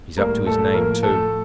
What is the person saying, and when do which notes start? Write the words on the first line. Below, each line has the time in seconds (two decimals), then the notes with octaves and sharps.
He's up to his name too.
0.17 A2 G3 A#3 A#4
0.46 A3 A4
0.74 A2 F3 A#3 A#4
1.03 A3 A4